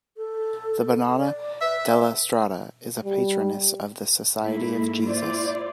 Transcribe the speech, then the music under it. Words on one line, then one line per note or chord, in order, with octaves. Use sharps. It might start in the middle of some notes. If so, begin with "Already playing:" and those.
The Madonna Della Strada is the patroness of the Society of Jesus.
A4
D5
B4 E5
G3
G#2 A3 A#3 E4
E4 F4 C5 D5